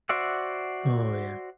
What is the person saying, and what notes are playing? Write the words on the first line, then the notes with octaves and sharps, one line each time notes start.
Oh, yeah.
F#4 C5 D5 E5 F#5